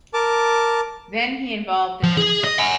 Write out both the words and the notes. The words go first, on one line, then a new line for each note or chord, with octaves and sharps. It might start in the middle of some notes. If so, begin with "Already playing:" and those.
Then he involved in business.
A#4 A5 D6
F3
G#4
D#5
F#5 G#5